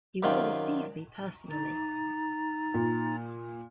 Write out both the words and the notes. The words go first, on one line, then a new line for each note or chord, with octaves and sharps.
He will receive me personally.
F#2 C3 D#3 F4 G5
D#4 A#5 A6
A#2